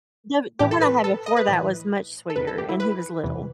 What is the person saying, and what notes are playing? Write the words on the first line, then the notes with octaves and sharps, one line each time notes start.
The the one I had before that was much sweeter, and he was little.
A2 E3 G4
A4
B4
A4
D#5
B4
A2 E3
A4
E2 C3 D#3 B4
A4
G4
E4
B4
E2 C3 E3